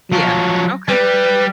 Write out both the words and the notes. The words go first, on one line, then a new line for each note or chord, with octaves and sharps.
yeah. Okay.
F3 F#3
G3 B4